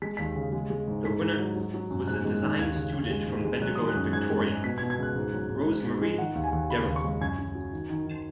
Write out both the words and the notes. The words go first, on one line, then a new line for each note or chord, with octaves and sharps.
The winner was a design student from Bendigo in Victoria, Rose-Marie Derrico.
G#3 B6
D#2 B6
C#3
G#3
G#3
G#2
G#2 B6
G#2
F#3
F#3
F#3
F#2
G#2 F#6
G#3
D#3
D#2 G#6
C#3
D#2
G#3
G#2
G#3
F#3 F#6
D#3 D#6
F#6
F#2
G#2 G#6
G#3
G#2
B2 B6
G#6
B2
G#6
C#2 F#6
G#2
F#3
G#2
G#2
G#2
G#3
D#3 F#5
D#2
G#5
D#2
C#3 B5
D#2
C#6
G#3
F#2 G#6
F#2
F#3
D#3
D#3
D#3